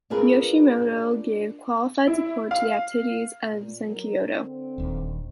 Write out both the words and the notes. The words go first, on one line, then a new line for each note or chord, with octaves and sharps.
Yoshimoto gave qualified support to the activities of Zenkyoto.
D4 F4 G#4 A#4 B4
E4
F5
A#2
F#3 A#4
D3 C4
D#1 D#2